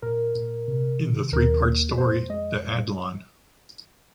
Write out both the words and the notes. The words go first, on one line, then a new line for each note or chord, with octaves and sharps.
In the three-part story "The Adlon".
A#2 A#4
A#2
C3
D#3
D#2 A#4
A#3
F2 C5
G#3 D#5